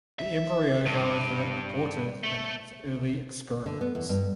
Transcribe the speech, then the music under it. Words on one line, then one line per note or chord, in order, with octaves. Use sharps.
The Embryo however aborted in his early experiments.
E5
G2
A3
D3
B3
E2
G2